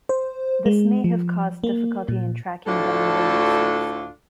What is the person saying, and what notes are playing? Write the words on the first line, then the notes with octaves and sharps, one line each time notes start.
This may have caused difficulty in tracking down releases.
C5
G#3
F3
A#3
A#2
D2 A2 D4 F4 A4